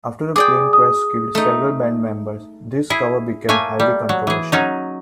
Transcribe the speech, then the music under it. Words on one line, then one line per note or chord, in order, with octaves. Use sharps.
After the plane crash killed several band members, this cover became highly controversial.
G#4 D5 G5 D6
D#6
A3 D#4
E4 G#4
A3 A#3 C#5 G#5
G3
F#3
E3 G#4
F#3 C#4 D#4